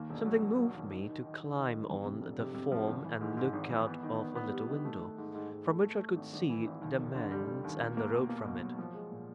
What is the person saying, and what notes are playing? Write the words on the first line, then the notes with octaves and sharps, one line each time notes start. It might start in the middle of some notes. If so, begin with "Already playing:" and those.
Something moved me to climb on the form and look out of a little window, from which I could see the manse and the road from it.
Already playing: D#2 A#3
E1
F#3
F#3
F#3
D#2
D#3
D#3
D#3
D#3
D#3
G2
E2
C3
F1
C3
C3
F3
G#1
E3
G#2
G#2
G#1
E3
B3
D#3
B3
B3
G3
D#3
A3
A3
G#2
G#2
G#2
A3
A3
A3
G#1
G#1
E3
G#1
D#2
F1
D3
G3
G3
D#2
A#3
A#3
B2
A#3
B2
F#3
F3
G#3
A#2